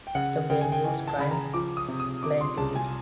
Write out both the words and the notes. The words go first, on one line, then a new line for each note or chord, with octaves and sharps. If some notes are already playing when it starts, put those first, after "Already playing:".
The baby was crying plaintively.
G5
C#3 F#5
C#3 G5
G#5
G5
E3 G#5
A5
C#3 B5
A#5
F3 D6
D#6
C3
D#6
C3 D6
C6
C2 A5
G#5